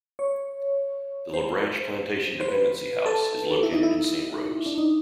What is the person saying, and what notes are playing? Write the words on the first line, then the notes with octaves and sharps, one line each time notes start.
The LaBranche Plantation Dependency House is located in Saint Rose.
C#5
C5
C5
B4
A4
E4
D#4
E4
D4
D#4